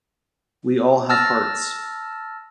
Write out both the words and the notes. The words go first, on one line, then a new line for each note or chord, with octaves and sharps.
We all have hearts.
A5 E6 F6 A6 A#6